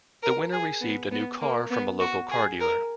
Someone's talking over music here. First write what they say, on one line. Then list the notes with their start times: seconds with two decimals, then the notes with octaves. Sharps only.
The winner received a new car from a local car dealer.
0.23 A#4
0.52 G#4
0.81 B3
1.12 B3
1.41 A#3
1.70 B3
2.00 F#4
2.31 G#4
2.60 A#4